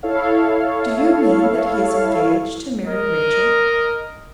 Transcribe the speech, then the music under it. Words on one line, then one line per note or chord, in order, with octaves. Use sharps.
"Do you mean that he is engaged to marry Rachel?"
E4 A4 C#5 F5
A#4 D#5